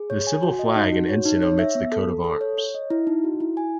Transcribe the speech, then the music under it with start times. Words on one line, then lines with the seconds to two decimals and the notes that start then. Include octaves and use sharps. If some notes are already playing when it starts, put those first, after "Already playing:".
The civil flag and ensign omits the coat of arms.
Already playing: G#4
0.10 C#5
0.27 G#5
0.43 F#4
0.59 D#5
0.76 D#4
0.92 F#4
1.09 C#5
1.25 D#4
1.42 C#5
1.59 E5
1.75 B3
1.92 A4
2.09 A4
2.24 A4
2.41 C#5
2.58 C#5
2.74 D#5
2.90 E4
3.07 D#4
3.24 F#4
3.40 E4
3.57 G#5